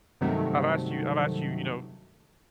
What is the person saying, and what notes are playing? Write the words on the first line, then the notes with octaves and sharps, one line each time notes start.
"I've asked you I've asked you," you know,
G2 C3 D#3 F#3 A3